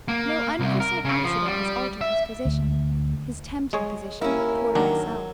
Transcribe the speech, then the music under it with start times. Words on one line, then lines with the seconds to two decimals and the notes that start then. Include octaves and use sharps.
No unforeseen accident has altered his position--his tempting position--toward myself.
0.08 A#3
0.60 C2
0.80 A#4
1.05 C#3
1.24 F3
1.46 G3
2.01 E5
2.45 D2
3.73 G#3 G#4 C#5
4.22 D#2 C#4 E4 A#4
4.75 D#2 D#3 F#3 D4